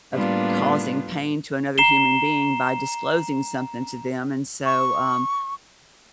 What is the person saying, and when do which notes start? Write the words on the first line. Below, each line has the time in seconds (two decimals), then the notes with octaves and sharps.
of causing pain to another human being by disclosing something to them and so, um,
0.14 A2 G3 A#3 B3 D4 F4
1.78 A#5 C7 E7 G7
4.65 C#6